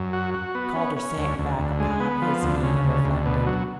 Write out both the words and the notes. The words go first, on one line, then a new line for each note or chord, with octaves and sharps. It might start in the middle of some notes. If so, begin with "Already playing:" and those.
Calder sank back upon his knee and reflected.
Already playing: F#2
F#4
F#4
B3
C#4
C#4
D2
D2
D2
G#3
B3
F3
D2
C#3
D2
D2
B2
F#3